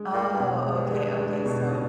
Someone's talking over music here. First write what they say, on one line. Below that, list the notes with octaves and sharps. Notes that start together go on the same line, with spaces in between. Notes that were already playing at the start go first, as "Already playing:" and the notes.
Oh, okay, okay, so
Already playing: G#3
A#2 G#3
G2
B2
F#2
G#3
G2
G#3
G#3
B2
B2